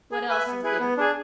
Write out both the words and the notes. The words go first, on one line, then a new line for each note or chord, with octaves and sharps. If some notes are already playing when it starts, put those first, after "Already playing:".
"What else is there?"
G#4
B4 E5 G#5
B3
E4 G#4 B4
B3
D4 G#4